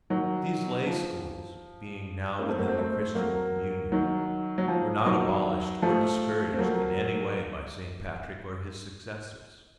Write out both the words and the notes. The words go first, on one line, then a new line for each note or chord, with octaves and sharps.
These lay schools, being now within the Christian communion, were not abolished or discouraged in any way by St. Patrick or his successors.
D#3 F#3
F3
A#3 C#4
A3 C4
F#3 A#3
A3 C4
A3 C4
F#3 A#3
D#3 F#3
F#3
F3
D#3 F#3
F3 A3
C4
F#3 A#3